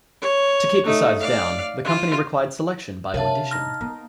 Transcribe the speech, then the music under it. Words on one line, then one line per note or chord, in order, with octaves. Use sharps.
To keep the size down, the company required selection by audition.
C#5
A3 D#4
D5 F5
F4 C5
C3 D4 A#4 C#5 E5 F5 A5
D#4 C6 F6 A#6
B3 A#4 D#5